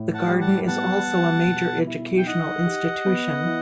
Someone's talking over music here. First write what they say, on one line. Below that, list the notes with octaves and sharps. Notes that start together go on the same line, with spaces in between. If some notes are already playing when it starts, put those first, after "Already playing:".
The Garden is also a major educational institution.
Already playing: A2
F#5 A5
G3
F#5 A5
B3 F#5 A5
G3
B2
E4
G5
D#4 D#5 F#5
G4
B3
E3